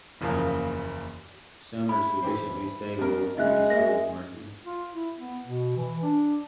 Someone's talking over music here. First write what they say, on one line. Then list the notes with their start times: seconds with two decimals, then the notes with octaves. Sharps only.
Some are sufficiently stable to be sold commercially.
0.21 F#1 E2 C#3 F3 A#3
1.89 E4 B5
2.23 E3 G4 C5
2.99 F2 A#4
3.37 C#3 G#3 D#5 E5 F#6
3.70 A#3 E5 A#6
4.65 F4
4.92 E4
5.17 B3
5.44 B2
5.76 E3
6.02 D4